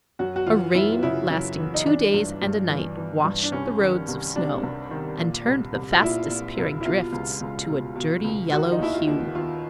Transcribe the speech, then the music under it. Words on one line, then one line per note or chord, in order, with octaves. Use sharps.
A rain lasting two days and a night washed the roads of snow and turned the fast disappearing drifts to a dirty yellow hue.
F#2 F#4
F#4
E3 F4
F#2 E4
F4
C#3 E4
F#2
E3
D#4
E3 D4
G2
G2
E3
E3
G2
D4
C2 C#4
D#3
C2
C3 D4
C2
D#3
A#2
C2
C2
F4
A#2 E4
A#2
C2
E4
B2 F4
C#2
C#2
B2
B2
C#2
D#3 F#4
D#4
D#2 E4
F4
D#2
D#3 F4